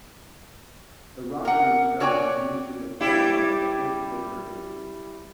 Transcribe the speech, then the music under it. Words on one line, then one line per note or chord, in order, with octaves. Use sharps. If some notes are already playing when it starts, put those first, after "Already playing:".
The rock group sounds used in the film are by Skip Bifferty.
A#4 F#5
F#4 C#5 D5 G5 G#5
G3 E4 G4